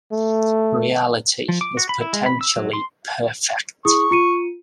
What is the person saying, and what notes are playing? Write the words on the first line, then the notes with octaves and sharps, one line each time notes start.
Reality is potentially perfect.
A3
F3
D6
F#4
B5
E4
G#3
B5
E6
F#3
C6
E4 G#4 C#6 D#6
F4 C#7 D#7